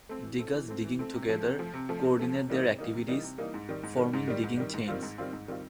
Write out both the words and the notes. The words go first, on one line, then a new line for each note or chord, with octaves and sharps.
Degus digging together coordinate their activities, forming digging chains.
A3 C4
E3
A3 C4
E3
A3 C4
E3
A3 C4
C3
F3 A3
C3
F3 A3
C3
F3 A3
C3
F3 A3
C3
E3 G3 A#3 D#4
C3
E3 G3 A#3 D#4
C3
E3 G3 A#3 D#4
C3
E3 G3 A#3 D#4
G#2
D#3 G3
G#2
D#3 G3
G#2
D#3 G3
G#2
D#3 G3
G#2
D#3 G3 C4 F4
G#2
D#3 G3 C4 F4
G#2
D#3 G3 C4 F4